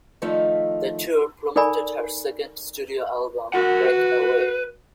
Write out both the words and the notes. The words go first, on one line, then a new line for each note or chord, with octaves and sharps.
The tour promoted her second studio album, "Breakaway".
D#3 F3 A3 D#4 E5 F5
D#4 A4 A#4 D5 G#5 B5
F#4 A#4 F#5
B4